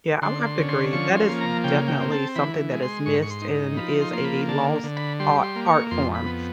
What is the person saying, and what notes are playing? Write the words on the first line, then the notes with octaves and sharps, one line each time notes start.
Yeah, I would have to agree, that is definitely something that is missed, and is a lost ar art form,
D3 C6
C6
C#4
C6
F3 C#6
C6
A#3
A#5
C#3 G5
G5
C4
A5
E3 B5
G#3
C6
G#2 C#6
C#6
C6
D#4
F3 B5
C6
A#3 C6
B5
D3 A5
D3
B5
G3 C6
C6
A#3
C#6
F2 C6
B5
B3